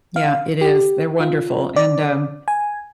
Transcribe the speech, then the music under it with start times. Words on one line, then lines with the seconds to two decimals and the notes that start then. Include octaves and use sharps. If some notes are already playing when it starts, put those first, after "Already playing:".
Yeah. It is. They're wonderful, and, um,
0.16 F5
0.61 G4
1.20 F4
1.76 D5
2.48 G#5